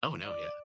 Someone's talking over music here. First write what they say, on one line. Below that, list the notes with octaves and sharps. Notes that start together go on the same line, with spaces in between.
Oh no, yeah.
D5